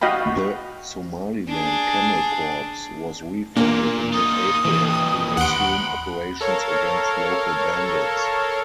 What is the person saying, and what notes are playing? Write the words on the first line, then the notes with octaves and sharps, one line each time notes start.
The Somaliland Camel Corps was re-founded in mid-April, to resume operations against local bandits.
F#4 D#5 F5 G5 B5
D4 G#4
A#2 A#3 D4
D#4 F4 D#6
G2 B2 E3
D#2 F#5 B5 C6 D7
A4 A#4 C#5 F5